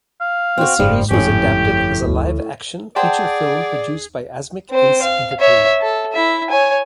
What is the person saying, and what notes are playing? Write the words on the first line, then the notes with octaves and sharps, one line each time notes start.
The series was adapted as a live-action feature film produced by Asmik Ace Entertainment.
F5
C4 F#4
F#1 G#2 F3 G3
G1 F2 A2 C#4 G4
D2
G#4 C5 D5 F#5 G5 A5
C4 C5
F5
C#5 E5
A4
E4 E5
C#5 G#5